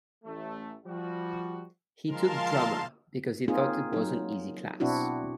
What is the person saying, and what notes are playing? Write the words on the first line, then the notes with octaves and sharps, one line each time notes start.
He took drama because he thought it was an easy class.
A1 A3
F3 G3 F#4
F3 G#3 A#4 F5 A5 C6
A#3 C4 D#4 F4 G#4
F#3 D#4
B2 C4 D4 E4 F#4